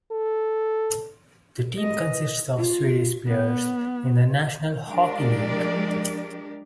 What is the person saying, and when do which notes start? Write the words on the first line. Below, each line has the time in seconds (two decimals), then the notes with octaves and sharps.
The team consists of Swedish players in the National Hockey League.
0.12 A4
1.79 D#5
2.57 F4
3.26 B3
4.88 F3 G#3 D4 G4 A#4 D5